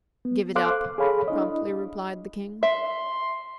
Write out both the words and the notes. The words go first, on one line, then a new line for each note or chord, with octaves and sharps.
"Give it up," promptly replied the King.
B3
A4 C5 F5 C6 D6 F#6
G#4 A4 C#5 F5 B5
D4 E4 D#5
E5 C6